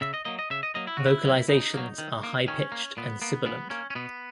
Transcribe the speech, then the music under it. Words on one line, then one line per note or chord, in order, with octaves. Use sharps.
Vocalizations are high-pitched and sibilant.
C#3 E5
D#5
F#3 A#3 D#5
D#5
C#3 E5
D#5
F#3 A#3 D#5
E4
C#3 F#4
E4
F#3 A#3
C#3 D#4
F#3 A#3
D#3
A#3
D#3 C#4
A#3
A#2 B3
A#3 B3
A#2 B3
A#3 C#4
C#4
B2 B3